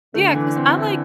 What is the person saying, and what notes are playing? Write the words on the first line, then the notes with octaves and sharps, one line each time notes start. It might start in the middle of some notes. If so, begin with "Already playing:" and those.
Yeah 'cause I like
D3 A3
E3
C4
E4